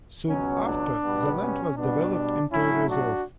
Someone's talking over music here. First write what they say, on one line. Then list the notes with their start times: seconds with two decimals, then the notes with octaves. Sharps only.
Soon after, the land was developed into a reserve.
0.28 C#2 B2 F#3 C#4
0.65 D4
1.02 B2 G3 B3
1.40 C#4
1.77 B2 G3 B3 D4
2.51 A2 F#3 A3 C#4 E4
2.89 D4 F#4